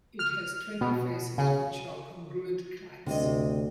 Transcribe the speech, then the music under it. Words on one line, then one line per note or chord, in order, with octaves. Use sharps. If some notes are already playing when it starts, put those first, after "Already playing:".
It has twenty faces which are congruent kites.
F6
B2
C#3
D2 C3 D#5